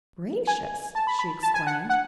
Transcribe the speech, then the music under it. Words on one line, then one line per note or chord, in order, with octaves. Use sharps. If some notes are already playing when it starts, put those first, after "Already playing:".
"Gracious!" she exclaimed.
G#5
A5
B5
B5
A5
G#5
F#5
F#5